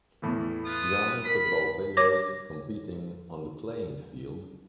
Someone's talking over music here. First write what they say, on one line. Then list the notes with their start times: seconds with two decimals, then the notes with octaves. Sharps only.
Young football players competing on the playing field.
0.22 E2 A2 E3
0.65 F4 B4 D#6
1.25 A#4 B5
1.97 C#5 D6 A#6